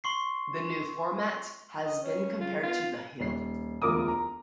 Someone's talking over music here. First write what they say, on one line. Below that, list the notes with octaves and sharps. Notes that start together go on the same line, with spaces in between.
The new format has been compared to "The Hill".
C6 C#6 C7
D#5
C#4
C#3 F4
B3 F4
D#1 C7
E1 D2 F4 A#4 D6 D#6
A#5